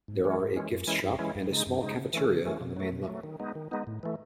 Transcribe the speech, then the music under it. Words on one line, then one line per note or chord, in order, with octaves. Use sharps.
There are a gift shop and a small cafeteria on the main level.
G#2
E3 G#3 C#4
G#2
E3 G#3 C#4
F#2
E3 G#3 C#4 E4
F#2
E3 G#3 C#4 E4
F#2
C#3 G#3 D#4
F#2
C#3 G#3 D#4
C#3
E3 A3 C#4
C#3
E3 A3 C#4
B2
F#3 A3
B2
F#3 A3
D#3
G#3 B3 D#4
D#3
G#3 B3 D#4
A2
E3 A3